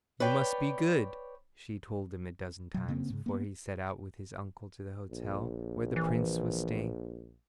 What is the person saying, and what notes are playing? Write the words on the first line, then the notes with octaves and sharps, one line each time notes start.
"You must be good," she told him a dozen times before he set out with his uncle to the hotel where the Prince was staying.
B4 C#5 D5 G5
B2 F#3
C#3 A#3 C4
G#2 C#3
A#3 B3
A#1
E3